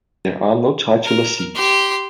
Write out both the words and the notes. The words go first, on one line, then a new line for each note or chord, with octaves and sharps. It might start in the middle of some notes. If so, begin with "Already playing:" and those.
There are no titular sees.
A#4
G4 C6